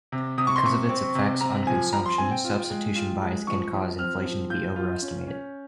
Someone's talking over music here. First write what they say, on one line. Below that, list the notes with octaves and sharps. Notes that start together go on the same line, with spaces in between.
Because of its effect on consumption, substitution bias can cause inflation to be over-estimated.
C3
C3 D#6
C#6
C6
C3 C#6
C4
C3
C4 A#5
F3 G#5
F3 A#5
C6
C4 G#5
G5
F4
G#3
F4
G#3
F3 C#6
F3
C4 F6
F3
F4 G6
F4
C#4
C#4